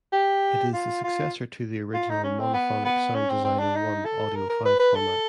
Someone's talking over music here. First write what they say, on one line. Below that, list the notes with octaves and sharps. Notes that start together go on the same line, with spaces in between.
It is the successor to the original monophonic Sound Designer I audio file format.
G4
F4
F4
F4
D#4
C#4
C4
B3
B3
C#4
C4
C4
D4
D#4
A4
A#4
A#4
B4
B4
A4